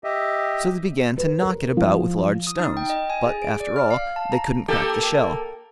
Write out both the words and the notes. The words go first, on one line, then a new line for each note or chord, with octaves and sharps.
So they began to knock it about with large stones, but, after all, they couldn't crack the shell.
G4 D#5 E5
B4
A#4
F3
D#6
D#4
G5
D#5
G#5
G#4
D7
D5
F6
F5
A5
A#5
A#3 G4 A4